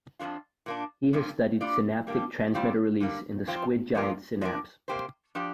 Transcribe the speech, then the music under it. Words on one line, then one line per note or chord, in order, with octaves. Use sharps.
He has studied synaptic transmitter release in the squid giant synapse.
F2 F3 A#3 D4 F4
A#2 A#3 D4
G2 F3 A#3 F4
G3 D4 F4 D5
G3 A#3 D4 G4
G2 G3 C4 F4 D5
D3 G3 A#3
F2 F3 C4 F4
G2 F3 A#3 F4 A#4
F3 D4 F4 A#4 D5
C3 A#3 G4 C5
F3 D4 G4 D5